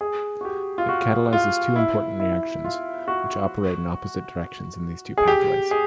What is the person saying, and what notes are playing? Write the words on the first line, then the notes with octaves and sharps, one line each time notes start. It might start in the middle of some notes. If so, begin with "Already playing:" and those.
It catalyzes two important reactions, which operate in opposite directions in these two pathways.
G#4
F#4
G4
F4
F#4
F4
E4
E4
F4
F#4
G#4
G4
G#4